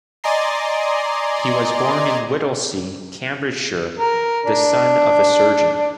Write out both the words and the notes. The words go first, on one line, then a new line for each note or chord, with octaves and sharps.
He was born in Whittlesey, Cambridgeshire, the son of a surgeon.
D5 D#5 G#5 A#5 C6
A#4
D4